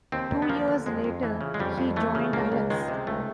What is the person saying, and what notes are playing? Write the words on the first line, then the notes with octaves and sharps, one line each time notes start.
Two years later he joined Alex.
D#2 C4
D#2
B3
F3 A#3
D3
F2 G#3
F2
E3
C#3
G#3
F2 G3
F2
E3 A3
C#3
C#2 A#3
C#2
D#3 G#3
C3
C#2 A3